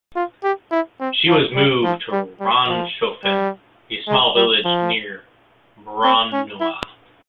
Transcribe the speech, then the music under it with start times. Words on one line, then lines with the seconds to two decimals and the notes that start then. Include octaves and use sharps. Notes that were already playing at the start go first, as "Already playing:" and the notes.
She was moved to Ranshofen, a small village near Braunau.
0.16 F4
0.44 G4
0.72 E4
1.01 C4
1.28 F3
1.56 G3
1.84 F3
2.12 G3
2.41 G3
2.68 F3
3.24 G3
4.08 G#3
4.36 G3
4.65 F3
6.04 C4
6.33 C#4
6.61 E4